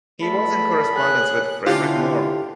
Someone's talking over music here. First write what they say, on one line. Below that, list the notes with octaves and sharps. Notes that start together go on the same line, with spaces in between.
He was in correspondence with Frederic Moore.
E2 A3 A5 B5
G#4 C#5 F#6
D3 C#4 D4 E4 F4 G4